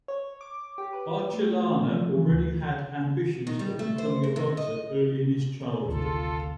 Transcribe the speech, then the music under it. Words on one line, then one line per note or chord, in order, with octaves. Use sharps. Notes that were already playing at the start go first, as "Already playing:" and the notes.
Arcellana already had ambitions of becoming a writer early in his childhood.
C#5
D6
G4
B4
A3
F3
F#3
E3
D2
D#3
G3
A3
C5
A#4
C3
D#5
G#1 D2 C3 F4 A4